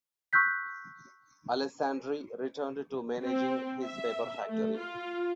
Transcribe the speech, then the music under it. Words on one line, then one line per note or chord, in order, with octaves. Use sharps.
Alessandri returned to managing his paper factory.
C#6 E6 F#6 G6 B6
C4
E5
A3
F4